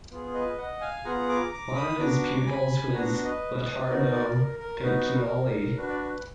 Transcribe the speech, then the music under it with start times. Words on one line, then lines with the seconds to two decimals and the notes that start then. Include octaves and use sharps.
One of his pupils was Litardo Piccioli.
0.11 B3 F4 G#4
0.34 B4 D#5
0.58 D#5 F#5
0.81 F5 G#5
1.05 B3 F4 G#4 F#5 A#5
1.28 A#5 D6
1.52 A#5 D6
1.75 B5 D#6
1.99 B3 D4 F#4 A#5 D6
2.46 G#5 B5
2.93 B3 D4 F#4 F#5 A#5
3.25 B4 D#5
3.56 B4 D#5
3.88 B3 D#4 F#4 A#4 D5
4.12 A#4 D5
4.35 A#4
4.59 A#4
4.82 B3 D#4 F#4 B4
5.14 A#4
5.45 A#4
5.77 D4 F#4 B4
5.89 D5
6.00 B4